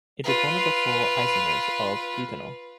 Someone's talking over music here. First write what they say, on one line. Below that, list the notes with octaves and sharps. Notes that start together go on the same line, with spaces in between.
It is one of the four isomers of butanol.
F4 B4